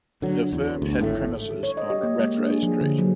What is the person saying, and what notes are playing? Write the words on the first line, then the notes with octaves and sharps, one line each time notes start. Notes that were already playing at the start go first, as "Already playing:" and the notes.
The firm had premises on Rattray Street.
D3 F#3
E2
D2
G#1 A2 C3 A3
C#5
D#5
G4
A#3
G#3
D4
G#4
F3
D3
F#3